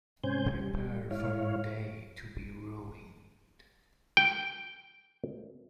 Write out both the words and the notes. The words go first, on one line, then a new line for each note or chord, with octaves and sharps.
Prepare for your day to be ruined.
G#2 C3 C#4 C5 G#5 G6
G3
G#2 E4 C#5 F5
G5